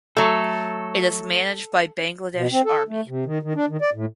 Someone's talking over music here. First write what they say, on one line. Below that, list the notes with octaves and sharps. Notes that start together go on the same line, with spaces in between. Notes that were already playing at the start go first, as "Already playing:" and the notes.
It is managed by Bangladesh Army.
F#3 A3 A4
B2
C4
A4
A3
C3
D#3
D#3
D4
D#3
D5
A2